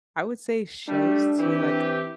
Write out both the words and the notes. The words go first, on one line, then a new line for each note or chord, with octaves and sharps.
I would say shows too like
G3 A3 D4
E3 C4 G4